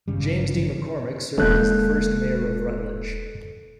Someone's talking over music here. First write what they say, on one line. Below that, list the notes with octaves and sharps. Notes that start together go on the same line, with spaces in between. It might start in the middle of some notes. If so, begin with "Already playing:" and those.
James D. McCormack served as the first Mayor of Rutledge.
G#1 G2 C#3 G3
E1 G#3 A#3 A4 F#6 G6